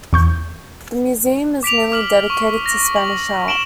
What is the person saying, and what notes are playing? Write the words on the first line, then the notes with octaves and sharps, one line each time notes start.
The museum is mainly dedicated to Spanish art.
E2 C#6 G6
D6 B6 D7 F7
D6 F6 F7 F#7
C#6
A#6
F#7
D7 E7 F#7 G7